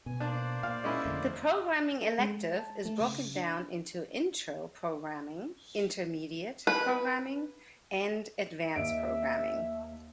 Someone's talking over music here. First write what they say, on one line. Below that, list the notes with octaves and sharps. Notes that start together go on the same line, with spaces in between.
The Programming elective is broken down into Intro Programming, Intermediate Programming, and Advanced Programming.
B2 B3 G#5
A#3 D4 C5 D5
A#2 F5
G#3 C#4 E4
F2 D3 A3
A4
G#3
A5
A3
C#3
D4
B4
D#2 D#5 E5 D7